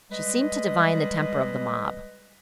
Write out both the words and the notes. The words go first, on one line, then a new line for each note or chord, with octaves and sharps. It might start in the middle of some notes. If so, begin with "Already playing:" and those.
She seemed to divine the temper of the mob.
G3 G#3 B4 D#5